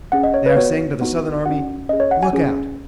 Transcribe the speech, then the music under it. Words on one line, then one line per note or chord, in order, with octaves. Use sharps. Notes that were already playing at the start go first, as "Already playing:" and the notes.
They are saying to the Southern army: 'Look out!
C#4 G#4 F#5
D#5
C#5
B4
B3 F#4 C#5
B3 D#4 F#4
C#4 F#4 F#5
C#4 G#4 D#5
C#5
F#5
G#5
C#4 G#4